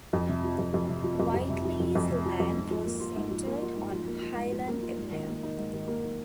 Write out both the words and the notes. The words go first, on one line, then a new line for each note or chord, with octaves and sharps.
Whitley's land was centered on Highland Avenue.
F2
C3
F3
F2
F2
C3
F3
F2
F2
C3
F3
F2
F2
C3
F3
F2
G#2
F3
A#3
F4
G#2
F3
A#3
F4
G#2
F3
A#3
F4
G#2
F3
A#3
F4
G#2
D#3
A#3
D#4
G#2
D#3
A#3
D#4